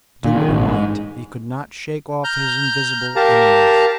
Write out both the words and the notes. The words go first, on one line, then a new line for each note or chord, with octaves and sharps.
Do what he might, he could not shake off his invisible enemies.
A#2
D#3
A1
G#2
A#5 F6 G6
G4 A#4 F5 A5 A#5